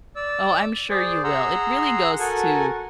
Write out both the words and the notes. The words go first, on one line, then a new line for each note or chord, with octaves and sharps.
Oh, I'm sure you will. It really goes to,
D5 E6
G#4 C5 D5
G#4 F#5 A#5 C6 E6
F#4 A4 A#4 F#5 G#5